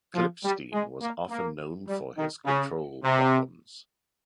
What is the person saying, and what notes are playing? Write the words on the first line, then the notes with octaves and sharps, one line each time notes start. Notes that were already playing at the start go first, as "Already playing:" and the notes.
Klippstein was often known for his control problems.
F3
G3
G#3
A#3
A#3
G3
D#3
C#3
C3